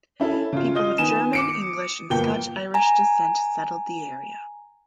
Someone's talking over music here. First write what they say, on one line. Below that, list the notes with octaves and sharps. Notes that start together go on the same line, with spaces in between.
People of German, English, and Scotch-Irish descent settled the area.
C#4 E4 A4
C#3 F4
F4 D#5 D#6 G7
D#3 B3 G#5 E7
D6 C#7 D7
G1 F2 A#3 B3 G5 G7
G#5 A#5